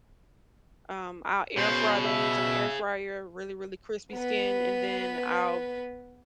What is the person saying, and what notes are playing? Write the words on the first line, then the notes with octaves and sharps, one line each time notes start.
um, I'll air fry the wings in the air fryer, really, really crispy skin and then I'll,
B2 G#4 C5 C#5
E5
B3 B4